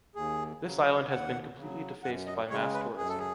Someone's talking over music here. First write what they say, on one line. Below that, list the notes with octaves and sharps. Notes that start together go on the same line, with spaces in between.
This island has been completely defaced by mass tourism.
D#2 G#4
C#3 F#3
D#2 F#5
C#3 F#3
F#2 F#5
D#5
C#3 G#3 C#5
B4
F#2 G#4
A4
G#4